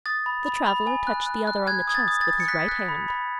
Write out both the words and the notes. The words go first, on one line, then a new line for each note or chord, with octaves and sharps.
The traveller touched the other on the chest with his right hand.
D#6 A6
B5
B5
B5
G#5
F#6
F#6
F#6
F#6 G#6
D#6 G#6
A6
D#6
A6
D#6
C#7
F#6 B6
F#6
B5
B5